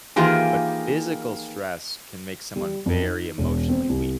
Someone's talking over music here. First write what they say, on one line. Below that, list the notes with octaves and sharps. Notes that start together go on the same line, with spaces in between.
but physical stress can make someone very emotionally weak,
D#3 E3 A#3 F4 G4 G#4
G3
F2
D#4
E1
C4
C2